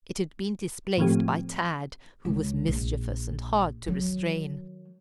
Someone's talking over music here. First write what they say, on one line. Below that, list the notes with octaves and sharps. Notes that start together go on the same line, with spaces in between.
It had been displaced by Tad, who was mischievous, and hard to restrain.
A2 D#3 F3 A3 C4 G4
C#2
A#1
D#3 F#3